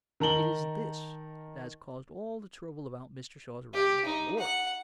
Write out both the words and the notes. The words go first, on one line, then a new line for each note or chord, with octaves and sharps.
It is this that has caused all the trouble about Mr. Shaw's writings on the war.
D#3 A#4 A5 F#7 G7
G4
D#4
F#5